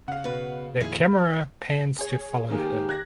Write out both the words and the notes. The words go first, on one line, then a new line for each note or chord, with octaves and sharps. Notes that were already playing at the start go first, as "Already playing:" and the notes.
The camera pans to follow her.
C#3 F5 F#5
B2 B4
F2 A#2 D#3 E4 F4 G#4
G#4 C#5
D#3 A#3 G4 G#4
F#6 G#6 A#6